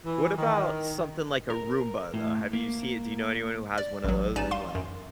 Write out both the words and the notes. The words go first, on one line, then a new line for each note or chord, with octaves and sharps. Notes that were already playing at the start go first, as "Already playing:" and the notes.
What about something like a Roomba, though? Have you seen Do you know anyone who has one of those and, like,
E3
D#3
A#4
A2
A#3
D5
A1 F#3
A1 D#4 D5 G#5 E7
F5 C6
F#2